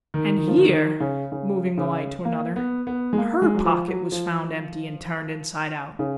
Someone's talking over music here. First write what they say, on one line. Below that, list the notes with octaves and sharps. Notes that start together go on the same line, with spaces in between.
And here,' moving the light to another, 'HER pocket was found empty, and turned inside out.
D#3
D#3
F3
D#3
D#3
C#3
C#3
C#3
A#3
B3
B3
G#3
A#3
G#3
F#3
F3
F#3
F3
C#3